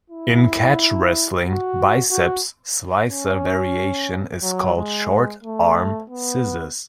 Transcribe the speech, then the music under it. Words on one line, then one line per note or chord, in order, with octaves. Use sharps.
In catch wrestling biceps slicer variation is called short-arm scissors.
E4
F#4
F#4
C#4
F#3
G#3
A3
B3